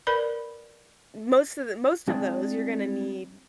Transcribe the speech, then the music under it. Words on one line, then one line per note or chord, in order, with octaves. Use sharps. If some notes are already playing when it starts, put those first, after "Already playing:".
most of the most of those, you're gonna need
A#4 B4 D5 B5
G#3 C4 D4 E4 G#4 D5